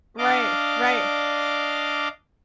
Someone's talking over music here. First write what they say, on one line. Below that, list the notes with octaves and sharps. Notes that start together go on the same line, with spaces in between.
Right, right.
D4 D#5 F5 D6